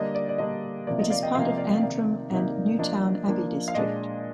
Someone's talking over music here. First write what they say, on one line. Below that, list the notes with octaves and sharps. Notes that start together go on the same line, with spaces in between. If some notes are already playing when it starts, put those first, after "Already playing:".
It is part of Antrim and Newtownabbey district.
Already playing: D3 G3 A#3 D4 D#5
D5
D5
D3 G3 A#3 D4 D#5
C3 F3 A#3 D5
D#5
D5 F5
D#5 G5
C3 F3 A#3 F5
D#5
D5
D#5
C3 D#3 A#3 D#4 D5
C3 D#3 A#3 D#4
F3 A#3 D4 D#5
F3 A#3 D4
F5
A#2 G#3 D4 D#5